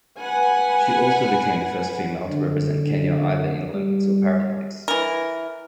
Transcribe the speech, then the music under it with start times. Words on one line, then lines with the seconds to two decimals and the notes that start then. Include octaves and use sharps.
She also became the first female to represent Kenya either in Olympics or Paralympics.
0.20 B4 F#5 G#5
2.30 D3
3.74 G3
4.88 E3 A#4